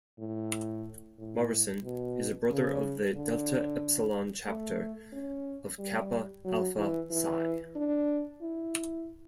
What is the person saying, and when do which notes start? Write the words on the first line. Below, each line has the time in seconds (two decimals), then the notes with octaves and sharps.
Morrison is a brother of the Delta Epsilon chapter of Kappa Alpha Psi.
0.19 A2
1.18 A2
1.84 B2
2.51 C#3
3.16 D3
4.47 A3
5.13 C#4
5.79 G3
6.45 F#3
6.77 E3
7.11 E3
7.76 D4
8.42 E4